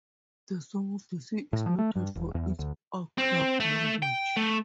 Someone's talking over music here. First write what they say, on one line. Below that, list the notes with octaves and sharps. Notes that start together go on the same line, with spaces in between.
The Song of the Sea is noted for its archaic language.
A2
F3
A3
G2
E1
E2
D2
C4
A3
G5
A3